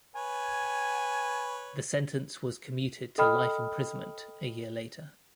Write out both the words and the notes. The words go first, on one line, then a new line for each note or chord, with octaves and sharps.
The sentence was commuted to life imprisonment a year later.
B4 C#5 G#5
A4 D#5 G5 B5 D#6 F6